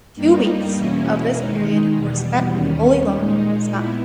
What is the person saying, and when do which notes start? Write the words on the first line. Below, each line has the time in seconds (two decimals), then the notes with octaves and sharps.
Two weeks of this period were spent at Holy Loch, Scotland.
0.15 G2 G3 A#3 D#4
0.74 E2 B2 A#3 C#4 E4
1.35 D#3 G#3 D#4
1.94 E2 B2 G3
2.54 D#2 D#3 G3 C#4
3.13 A#2 G#3 D#4
3.73 B3 E4